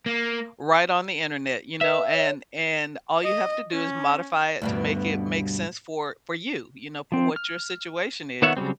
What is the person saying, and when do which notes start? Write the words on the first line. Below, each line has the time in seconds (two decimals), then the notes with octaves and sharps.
right on the internet, you know? And and all you have to do is modify it to make it make sense for for you, you know, for what your situation is.
0.06 A#3
1.81 B4 E5
2.13 C#5
3.23 D#5
3.72 C#4
4.62 D2 G2 B2
7.12 F3 C4
7.36 F6
8.42 D#3 B3 C#5 E5 F#5
8.57 C#3 F#3 G3 C4